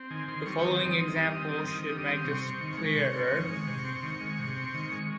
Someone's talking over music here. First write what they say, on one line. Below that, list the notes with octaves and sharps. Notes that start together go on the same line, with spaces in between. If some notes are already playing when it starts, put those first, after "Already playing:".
The following example should make this clearer.
Already playing: C4
D#3 G#5
D#3 C6
G3 C#6
C4 D#6
D#3
D#3
G3
C4
D#3
D#3
G3
C4
C3 C#6
C4
D#3
G#3
C3
C4
D#3
G#3
C3
C4
D#3
G#3
C3
C4
D#3
G#3